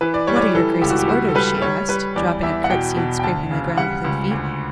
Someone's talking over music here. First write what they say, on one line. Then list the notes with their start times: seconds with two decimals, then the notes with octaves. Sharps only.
"What are your graces' orders?" she asked, dropping a curtsy and scraping the ground with her feet.
0.01 E3 B4
0.14 D5
0.27 G3 C#5
0.36 D5
0.41 C#5
0.55 E3 A4
0.82 C#2 G4
0.90 F#4
0.99 G4
1.08 G3 F#4
1.28 A4
1.35 G3 B4
1.62 G3 C#5
1.89 G3 B4
2.16 E2 D5
2.43 E2 E5
2.64 F#5
2.70 B2 G5
2.97 B2
3.19 G5
3.24 D2 A5
3.51 C#3
3.77 G3 F#5
4.05 C#2
4.31 D2